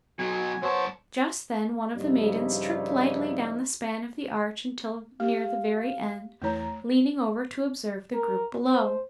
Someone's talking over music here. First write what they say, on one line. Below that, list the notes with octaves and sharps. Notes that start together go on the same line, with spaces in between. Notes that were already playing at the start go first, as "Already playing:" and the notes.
Just then one of the maidens tripped lightly down the span of the arch until near the very end, leaning over to observe the group below.
B2 F#3 G#5
F#2 B3 C5 C#5 A5
G2 C#3 F3 G3 D#4 E4
G4 F5
E2 E3 A3 C#5 A#5
A#4
C5